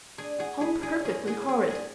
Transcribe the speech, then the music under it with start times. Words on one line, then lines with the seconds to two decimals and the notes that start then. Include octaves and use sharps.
How perfectly horrid!
0.18 D4 G#4
0.39 F#4 G#4
0.60 E4 G#4
0.80 D4 G#4
1.00 C#4 G#4
1.21 B3
1.28 G#4
1.41 C#4
1.49 G#4
1.62 D4
1.70 G#4